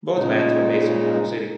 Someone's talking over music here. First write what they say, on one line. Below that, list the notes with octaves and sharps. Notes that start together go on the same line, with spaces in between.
Both bands were based in New York City.
A#2 C#3 G#3 D#4